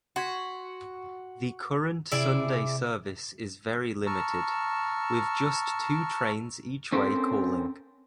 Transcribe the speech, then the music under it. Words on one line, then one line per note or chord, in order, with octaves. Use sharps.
The current Sunday service is very limited, with just two trains each way calling.
F#4 C6 G#6 B6
C3 E4 G#4 D5
A5 A#5 C#6 E6 F6
C4 C#4 A4 A#4 C5